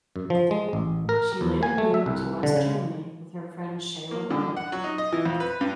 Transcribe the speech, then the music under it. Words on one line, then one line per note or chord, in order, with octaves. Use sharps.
She later moved to West Germany with her friend Sheyla Bonnick.
F#2
F3
G#3
A1
A#4
E2
G#5
A3
E5
C2
D3
C#3
A#3
D3
F#5
F#3
D#4
D#5
E3
F2
B4
G2